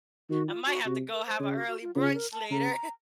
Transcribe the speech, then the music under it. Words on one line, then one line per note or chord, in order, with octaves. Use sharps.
I might have to go have an early brunch later.
D#3 F#4
F4
F#4
C3 F#4
A#4
C5
C#3 C#5
F#4
F#4
F4
C#3 F4
A#4
A5
C#3 A#5